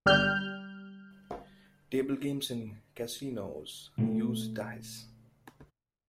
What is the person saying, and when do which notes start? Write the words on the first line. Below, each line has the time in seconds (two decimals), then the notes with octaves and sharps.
Table games in casinos use dice.
0.06 G1 G3 F6 G6
3.98 A#2 A3